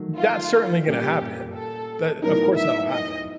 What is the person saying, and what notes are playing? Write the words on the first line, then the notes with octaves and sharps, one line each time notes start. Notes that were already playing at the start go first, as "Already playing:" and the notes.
That's certainly gonna happen. That of course, that'll happen.
Already playing: D#3 F#3 A3
F4
A#2 G3 A#3 C#4 G4
A4
A2 F#3 B3 D#4 A#4
E5
D#5